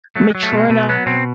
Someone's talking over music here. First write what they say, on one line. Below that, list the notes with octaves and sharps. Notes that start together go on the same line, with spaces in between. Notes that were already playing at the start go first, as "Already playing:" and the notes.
mature enough
F#3 A3
G#3
F#3
A3
B2
G#3
B2 A3
F#3 B3
B2 C4